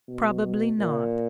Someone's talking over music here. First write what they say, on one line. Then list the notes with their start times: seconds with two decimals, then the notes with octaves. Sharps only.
Probably not.
0.08 B2
0.79 A#2